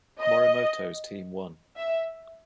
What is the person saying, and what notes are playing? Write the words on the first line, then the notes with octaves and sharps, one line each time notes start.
Morimoto's team won.
D#5
E5